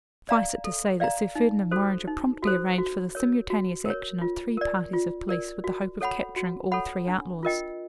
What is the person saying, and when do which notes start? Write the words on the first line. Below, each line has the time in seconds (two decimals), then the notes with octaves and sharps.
Suffice it to say that Sir Ferdinand Morringer promptly arranged for the simultaneous action of three parties of police with the hope of capturing all three outlaws.
0.29 D5 F5 A#5
0.64 A4
1.00 D5 F5 A#5
1.35 D#4
1.71 F#4 A4 C5
2.08 D#4
2.43 F#4 A4 C5
2.78 F#4
3.15 A#4 C#5
3.50 F#4
3.86 A#4 C#5
4.21 F4
4.57 A#4 D5
4.93 F4
5.29 A#4 D5
5.64 F#4
6.01 A4 C#5 F#5 B5
6.36 F#4
6.72 A4 C#5 F#5 B5
7.08 D4
7.43 F4 A#4 D#5 G5